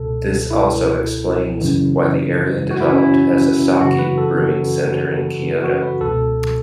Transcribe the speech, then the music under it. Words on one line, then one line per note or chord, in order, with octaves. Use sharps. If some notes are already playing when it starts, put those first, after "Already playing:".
This also explains why the area developed as a sake-brewing center in Kyoto.
Already playing: C#2 B2 A4
E4
F#2 C#3 E3
F#4
E4
C#4
E4
F#2 C#3 E3 F#4
B4
A4
F#4
B4
C#2 B2 A4